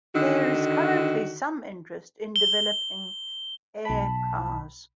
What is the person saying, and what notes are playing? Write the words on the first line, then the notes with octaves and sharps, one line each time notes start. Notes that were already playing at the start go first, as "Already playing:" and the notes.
There is currently some interest in developing air cars.
D3 D#3 F#4
G7
B1 A5 B5